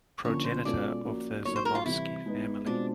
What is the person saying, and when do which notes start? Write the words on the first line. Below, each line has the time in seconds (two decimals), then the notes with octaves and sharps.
Progenitor of the Zamoyski family.
0.25 D3 F3 A#3 C#4 C#5
0.44 C5
0.64 B2 G#3 C#4 F4 A4 D5
1.05 F3 A#3 C#4 F#4
1.45 F#3 A#3 D#4 C#5
1.56 C5
1.65 A#4
1.75 F4
1.85 C3 E3 G3 E4
2.26 G#3 B3 D#4
2.66 B2 G#3 C4 D4 F4